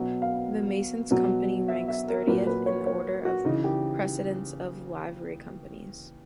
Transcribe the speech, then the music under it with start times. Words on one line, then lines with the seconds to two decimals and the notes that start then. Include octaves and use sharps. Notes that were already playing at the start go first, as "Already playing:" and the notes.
The Masons' Company ranks thirtieth in the order of precedence of Livery Companies.
Already playing: B2 F#3
0.22 F5
1.11 B2 F#3
1.68 E5
1.88 E5
2.08 A#4
2.27 A#2 F#3 B4
2.47 B4
2.66 C#5
2.86 C#5
3.25 F#4
3.45 C#3 E3 D#4
3.64 G4